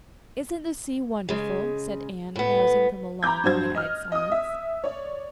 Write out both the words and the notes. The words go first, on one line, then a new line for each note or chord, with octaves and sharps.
"Isn't the sea wonderful?" said Anne, rousing from a long, wide-eyed silence.
C#3 G#3
A2 B3
A#5 B5 D6 G6 G#6
G2 F#3 C5 G#6
D#5 F6
D#5 D#6
E5
C#5 D5